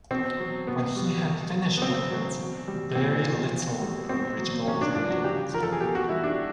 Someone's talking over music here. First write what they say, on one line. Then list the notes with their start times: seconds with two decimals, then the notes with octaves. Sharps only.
When he had finished with it, very little of the original remained.
0.11 B2 C4
0.40 F#3
0.67 B2 B3
0.96 G3
1.25 B2
1.54 F#3
1.77 B3
1.81 C#3 C4
2.10 F#3
2.38 B2
2.68 G3
2.95 A#2 C4
3.25 F3
3.53 B2
3.82 G3
4.09 B2 C4
4.38 F#3
4.68 C3 C#4
4.81 D4
4.95 F3 D4
5.10 F#4
5.24 C#3 G4
5.53 F3 A#4
5.63 A4
5.72 G#4
5.81 B2 G4
5.95 F#4
6.09 G3 E4
6.23 D4